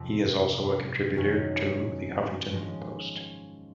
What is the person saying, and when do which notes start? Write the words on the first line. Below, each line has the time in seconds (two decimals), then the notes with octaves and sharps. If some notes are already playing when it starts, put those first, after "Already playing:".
He is also a contributor to "The Huffington Post".
Already playing: F2 C3 F3 C4
1.16 F#2 D#3 F#3 C#4 F#4
2.51 G#2 F3 G#3 C#4